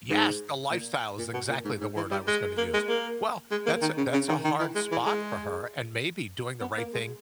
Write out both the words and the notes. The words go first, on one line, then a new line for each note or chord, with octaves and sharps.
yes, the "lifestyle" is exactly the word I was gonna use. Well, that's a that's a hard spot for her, and maybe doing the right thing
G#2
A#2
A#2
B2
A#2
G#2
G#2
E3
G3
G#3
A#3
G#3
A#3
G#3
A#3
D#3
C#3
C#3
D#3
D#3
E3
G#3
E3
G#3
B3
A#3
G#3